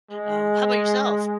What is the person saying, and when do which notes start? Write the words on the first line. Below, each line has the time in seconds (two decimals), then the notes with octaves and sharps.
um, how about yourself?
0.11 G#3